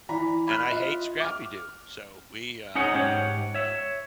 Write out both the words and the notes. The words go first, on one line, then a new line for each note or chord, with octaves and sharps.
and I hate Scrappy Doo, so we, uh
E3 D5 A#5 B5
B5 F6 F#6
F4 D#5 E5
D6 F6
C#4 D#4 G#4 C#5 F#5
G#2 G4 C#5 F#5
C#5 E5